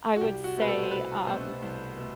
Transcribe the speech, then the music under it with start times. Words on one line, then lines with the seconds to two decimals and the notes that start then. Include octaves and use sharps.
I would say, um,
0.16 F#4
0.21 C2 G4
0.44 F#4
0.57 B2 A3 C4 B4
0.68 A4
0.83 C5
0.91 C2 B4
1.26 B2 A3 C4 C5
1.62 C2
1.97 B2 A3